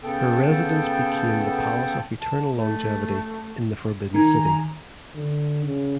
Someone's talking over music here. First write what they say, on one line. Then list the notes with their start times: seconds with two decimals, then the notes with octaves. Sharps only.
Her residence became the Palace of Eternal Longevity in the Forbidden City.
0.04 C#3 B3 A4 G5
2.21 A5
2.55 A3
4.14 D#3 G#5 A#5
5.15 D3
5.65 C#3